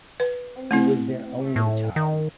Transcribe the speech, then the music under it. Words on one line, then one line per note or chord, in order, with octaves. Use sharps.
He was their only child.
B4
A3 C4 E4
A2
D#3